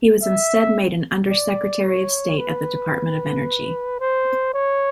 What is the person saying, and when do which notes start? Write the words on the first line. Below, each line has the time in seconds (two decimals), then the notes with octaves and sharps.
He was instead made an Under-Secretary of State at the Department of Energy.
0.22 E5
1.30 D5
1.84 C#5
2.38 B4
4.00 C5
4.54 C#5